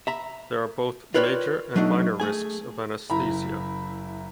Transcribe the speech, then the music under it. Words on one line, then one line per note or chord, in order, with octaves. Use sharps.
There are both major and minor risks of anesthesia.
E5 A#5 B5
F4 A#4 B4 C#5 D5 G5
F#3 A3 D4 D#4
A3 G#4 G#5
F#1 E4 A#5 B5